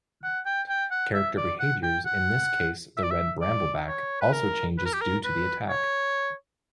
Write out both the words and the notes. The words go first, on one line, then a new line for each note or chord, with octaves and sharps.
Character behaviors, in this case the Red Brambleback, also changes due to the attack.
F#5
G5
G5
F#5
E5
D5
F#5
G5
F#5
E5
D5
E5
D5
C#5
B4
A#4
B4
A#4
G4
A#4
B4
C#5